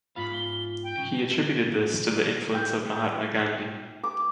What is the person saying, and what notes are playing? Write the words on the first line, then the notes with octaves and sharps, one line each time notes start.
He attributed this to the influence of Mahatma Gandhi.
G#2 F4 F5 B5
G7
G5
C#3
G5
D6